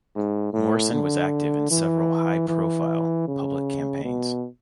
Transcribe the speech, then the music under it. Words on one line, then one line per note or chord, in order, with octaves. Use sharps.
Morrison was active in several high-profile public campaigns.
G#2
A2
D3
E3
E3
C#3
B2